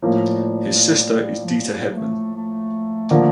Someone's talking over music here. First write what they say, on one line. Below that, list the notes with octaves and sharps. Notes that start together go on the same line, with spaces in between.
His sister is Deta Hedman.
A2 F3 G3 A#3
F3
G3
G3
A3
A3
D3 F3 A#3